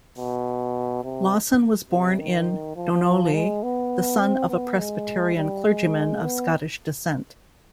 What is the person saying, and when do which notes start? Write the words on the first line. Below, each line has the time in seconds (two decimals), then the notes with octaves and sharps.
Lawson was born in Dunolly, the son of a Presbyterian clergyman of Scottish descent.
0.18 B2
1.04 C3
1.90 C3
2.19 D#3
2.76 F3
3.34 G#3
3.63 B3
4.21 C4
4.49 B3
4.78 G#3
5.35 G3
5.64 G#3
6.22 B3